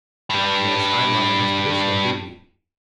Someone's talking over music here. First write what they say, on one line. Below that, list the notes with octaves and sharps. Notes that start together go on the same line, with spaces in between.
'Yes, I am on an expedition of duty.
G2 G3